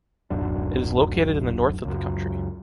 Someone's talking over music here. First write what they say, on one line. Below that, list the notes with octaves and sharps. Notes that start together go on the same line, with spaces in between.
It is located in the north of the country.
D1 B1 F#2 D4
C#2 F#2